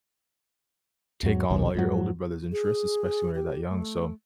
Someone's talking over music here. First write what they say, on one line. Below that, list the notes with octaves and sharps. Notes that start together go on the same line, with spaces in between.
take on all your older brother's interests. Especially when you're that young. So,
E2 G#2 F#3
A#1 D#2 B2
F2 G#2 F#3
G#4
G4
A3